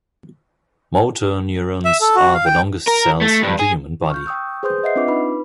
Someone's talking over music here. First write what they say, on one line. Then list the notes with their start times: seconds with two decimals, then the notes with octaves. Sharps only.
Motor neurons are the longest cells in the human body.
1.85 E5
2.01 A4
2.16 F#4
2.34 F5
2.46 G5
2.87 A#4
3.21 A3
3.43 G2
3.59 G#4
4.10 C#6 F6 G6
4.26 G5 C#6 D#6 E6 G6
4.63 G#4 B4 C5 C6 D#6 G6
4.84 D#5 E5 F#5 C7
4.95 C4 D4 F4 B4 D6
5.08 D#4 B4 B5